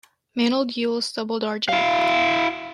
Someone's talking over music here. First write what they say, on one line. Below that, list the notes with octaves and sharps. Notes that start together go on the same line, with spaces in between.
Mantled gules doubled argent.
E4 F5